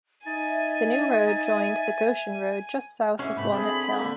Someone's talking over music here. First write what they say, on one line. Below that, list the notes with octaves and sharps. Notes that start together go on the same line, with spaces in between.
The new road joined the Goshen Road just south of Walnut Hill.
D#4 E5 G#5 A6
B2 E3 C#4 G#4
G#2 C3 A3 B5
C4 D4 G#4 A4
D3 A#3